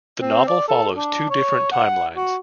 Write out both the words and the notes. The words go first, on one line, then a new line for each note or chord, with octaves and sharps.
The novel follows two different timelines.
C4
D5
A4
D4
C#5
F#5
F#4